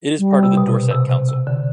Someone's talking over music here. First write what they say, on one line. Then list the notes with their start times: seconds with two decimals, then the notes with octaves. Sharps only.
It is part of the Dorset Council.
0.18 G3
0.43 C3
0.57 B2
0.67 C3
0.91 C3
1.10 C3
1.28 C3
1.47 D3